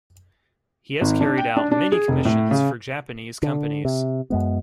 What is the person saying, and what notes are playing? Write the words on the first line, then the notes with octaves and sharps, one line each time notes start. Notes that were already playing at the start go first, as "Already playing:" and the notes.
He has carried out many commissions for Japanese companies.
G#1
D4
G5
D4
D4
G#4
F1
A2
C#3
D3
C3
F#2 G#3 B3